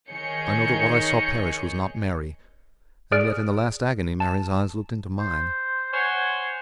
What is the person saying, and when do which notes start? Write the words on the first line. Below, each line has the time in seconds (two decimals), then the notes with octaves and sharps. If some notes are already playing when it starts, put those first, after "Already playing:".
I know that what I saw perish was not Mary, and yet in the last agony Mary's eyes looked into mine.
0.11 D#3 G#4 C#5 G6 C#7
3.12 G#4 D5 F6 F#6 D7
4.20 A5
5.20 C5
5.93 C5 C#5 F#5 G#5